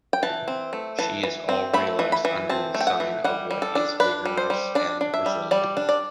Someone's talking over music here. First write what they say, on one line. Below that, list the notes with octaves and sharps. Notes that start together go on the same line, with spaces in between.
She is all realized under the sign of what is vigorous and resilient.
G5
E3 A5
C4
A3
E3 A5
E3
C4
A3 B5
E3
B5
E3
C4 A5
A3
G5
F#5
E3
G3 F#5
G3
A4
D4
D4 B4
G3
C5
G3
D4 D5
D4
E5
G3
G3 D5
D4
D5